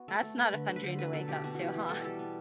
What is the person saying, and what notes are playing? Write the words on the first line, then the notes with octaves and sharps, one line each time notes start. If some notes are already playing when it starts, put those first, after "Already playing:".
That's not a fun dream to wake up to, huh?
Already playing: B3 F#4
A3 A4
A3
A3 B4
D3
D3 C5
B4
D3 C5
F#3 B4
B2 A4
B2 G4
B2 F#4
E3 F#4 G4
E3
G3 A4
G3 A4
B3